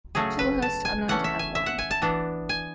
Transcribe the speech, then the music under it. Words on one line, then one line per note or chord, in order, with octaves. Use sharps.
Chislehurst are known to have won.
C#3 F#3 A3 C#4 G#4
B4
A5
G#5
E3 A3 C#4 F#5
E5
G#5
E5
F#5
G#5
A5
E3 B3 D4
G#5